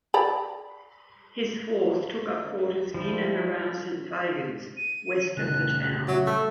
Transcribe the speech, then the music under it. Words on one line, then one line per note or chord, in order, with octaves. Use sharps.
His force took up quarters in and around Saint Fagans, west of the town.
D5 A#5 B5
F3 G3 E4
D#7
C#3 G3 A3 F#6
F#3 E5
A3